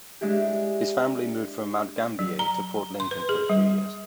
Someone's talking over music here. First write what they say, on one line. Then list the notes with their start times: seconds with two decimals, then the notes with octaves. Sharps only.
His family moved from Mount Gambier to Port Lincoln for a few years.
0.21 G#3 D4 E4 G4
2.19 F#3
2.39 A#5
3.00 C6
3.11 B4
3.29 G#4
3.50 G3